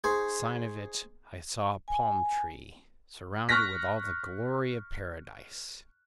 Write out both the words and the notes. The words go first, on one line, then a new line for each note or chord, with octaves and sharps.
In sign of it I saw a palm-tree, surrounded with all the glory of paradise.
D#4 G#4 C5 C#6
G#5
C#6 F6 F#6 A#6 B6